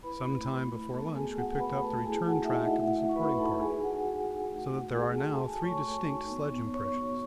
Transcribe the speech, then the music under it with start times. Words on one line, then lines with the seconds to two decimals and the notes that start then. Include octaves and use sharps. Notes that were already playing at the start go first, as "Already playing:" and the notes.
Some time before lunch we picked up the return track of the supporting party, so that there are now three distinct sledge impressions.
0.03 E4 B4 B5
0.26 A3
0.48 A3
0.71 A3
0.92 B3 A4 A5
1.14 F#4 G#4 G#5
1.37 B3 F#4 F#5
1.60 F#4 B4 B5
1.82 A3 A4 A5
1.97 A5
2.05 E4 G#4 G#5
2.26 E4 F#4 F#5
2.44 E5
2.49 D#4 E4 D#5
2.64 F#5
2.71 A3 E4 E5
2.94 F#4
3.09 C#6
3.16 F#4 B4 B5
3.38 D#4 A4 A5
3.61 F#4 G#4 G#5
3.83 D#4 F#4 F#5
4.05 D#4
4.28 D#4
4.51 A3
4.74 A3
4.95 F#4 G#4 G#5
5.18 F#4 A4 A5
5.40 F#4 A5
5.47 G#5
5.55 A4 A5
5.62 A3 C#5 C#6
5.85 F#4
6.08 D#4
6.29 B3
6.51 B3
6.74 B3 C#5 C#6
6.96 F#4